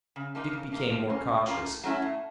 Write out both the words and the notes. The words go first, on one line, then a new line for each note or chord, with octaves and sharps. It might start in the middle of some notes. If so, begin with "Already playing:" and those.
Dick became more cautious.
C#3
F3 A#3 D#4
C#3
F3 A#3 D#4
F3
A#3 C#4 F4
F3
A#3 C#4 F4
A2
F#3 A3 C#4 E4
A2